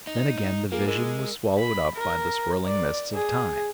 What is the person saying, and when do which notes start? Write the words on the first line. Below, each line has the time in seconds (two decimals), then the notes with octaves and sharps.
Then again the vision was swallowed up by the swirling mists of time.
0.07 D#4
0.72 A#3 F4 G#4
0.88 G#3 A#4
1.59 B5
1.95 A#4
2.66 D5
3.14 G#4